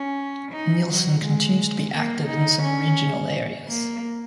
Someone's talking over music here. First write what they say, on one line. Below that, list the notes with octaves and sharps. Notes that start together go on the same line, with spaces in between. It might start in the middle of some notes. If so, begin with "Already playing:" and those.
Nielsen continues to be active in some regional areas.
Already playing: C#4
D#4
F#3
G#3
A#3
D#4
C#4
A#3